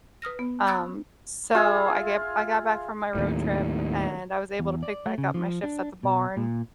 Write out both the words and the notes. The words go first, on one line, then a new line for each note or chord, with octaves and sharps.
Um, so, I get I got back from my road trip and I was able to pick back up my shifts at the barn.
B4 D#6 F6 A#6
B3
B5 D#6 E6 F#6 G#6 A6
F4 G#4 E5
D#2 A2
E2
D5
A3
C#3
F3
D4
B2
A#2